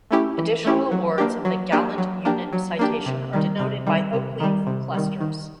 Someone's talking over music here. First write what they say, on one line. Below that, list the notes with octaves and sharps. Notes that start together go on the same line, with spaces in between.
Additional awards of the Gallant Unit Citation are denoted by oak leaf clusters.
A3 C#4 E4 G4
E3
A3 C#4 E4 G4
F#3
A#3 D4 G4
F#3
A#3 D4 G4
F#3
A#3 D4 G4
F#3
A#3 D4 G4
C3
D#3 G3
C3
D#3 G3
C3
D#3 G3
C3
D#3 G3
D#3